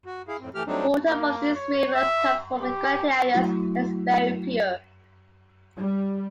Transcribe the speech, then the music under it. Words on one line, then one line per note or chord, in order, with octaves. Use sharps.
Water from these rivers come from the granitic areas and is very pure.
F#4
E4 G#4 F5
F2 A2 C4
E3 A3 G4 F6
F#3 G3 A3 C4 D4 D#4
A#3
C#5
E5
G4
F#3 A3 E4 F#4
G3